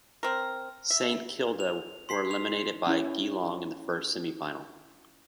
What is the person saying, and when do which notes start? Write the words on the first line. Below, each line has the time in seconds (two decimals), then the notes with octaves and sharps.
Saint Kilda were eliminated by Geelong in the first semi-final.
0.23 C4 A#4
0.90 E5
1.60 F7
2.09 C6 B6 C7
2.31 F7
2.87 C#4 E4 C#5